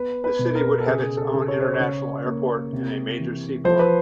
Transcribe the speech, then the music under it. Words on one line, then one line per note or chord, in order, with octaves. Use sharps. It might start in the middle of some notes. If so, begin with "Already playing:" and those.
The city would have its own international airport and a major seaport.
Already playing: B3 B4
B4
B2
A#4
A4
C#3 G#4
A4
C#3
C#5
C5
C#5
C#3
A#3
C3
E3
F3 C5
B4